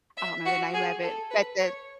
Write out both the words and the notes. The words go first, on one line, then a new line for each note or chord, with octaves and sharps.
I don't know the name of it, but the
E5
F#4
G#4
A4
B4
C#5